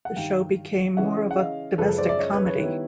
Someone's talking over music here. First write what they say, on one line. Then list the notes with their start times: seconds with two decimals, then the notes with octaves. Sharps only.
The show became more of a domestic comedy.
0.05 F#5
0.16 G2 D#3 G3 F5 G5
0.97 C#3 E3 G#3 C#4 E5 F#5
1.31 F#5
1.38 D#5 F5
1.78 F#2 C#3 F3 G#3 A4 B4
1.89 A4 B4
1.98 C5 D5
2.09 D5 E5
2.18 C#5 D#5
2.33 B4 C#5
2.46 B4 C#5
2.59 D#3 G3 B3 E4 B4 C#5